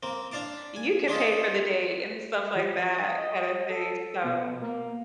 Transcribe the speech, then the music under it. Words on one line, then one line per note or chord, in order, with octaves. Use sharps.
you could pay for the date" and stuff like that kinda thing, so
A#3 C4
D4 D5 F5 A5 D6
G#5
D4 F4 G#4 D#5
F3
D#6
D#5
A4
B2
A#3